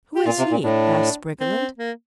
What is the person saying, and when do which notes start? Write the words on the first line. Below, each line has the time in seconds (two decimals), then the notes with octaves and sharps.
"Who is he?" asked Briggerland.
0.15 G4
0.26 A#2 F4
0.38 C3
0.51 A#2
0.63 A2 D4
1.40 C4
1.78 A#3